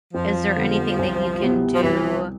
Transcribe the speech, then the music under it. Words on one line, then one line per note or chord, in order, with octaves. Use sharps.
is there anything that you can do,
F2 F3
D3 G3 B3
C2
B2 B3 E4 G4
F3
C2 E3